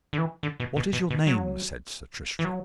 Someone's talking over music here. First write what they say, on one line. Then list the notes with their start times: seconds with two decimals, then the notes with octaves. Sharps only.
What is your name? said Sir Tristram.
0.13 D3
0.18 E3
0.43 D3
0.60 B2
0.76 B2
0.93 B2
1.10 B2
1.27 F#3
2.39 E3
2.45 F#3